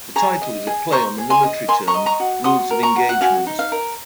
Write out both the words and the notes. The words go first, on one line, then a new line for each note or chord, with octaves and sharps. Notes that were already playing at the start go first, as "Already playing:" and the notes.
The title is a play on the military term, "Rules of engagement".
G#4 A#5 C#6
D#5
G#4
C5 A#5 C#6
G#4
G#5 C6
D#5
A#4 G#5 C6
A#5 C#6
D#5
A#5 C#6
F#4
F#4 C6 D#6
A#4
A#5 C#6
F#4
F#5
F#4 F5 G#5
D#4
F5
A#4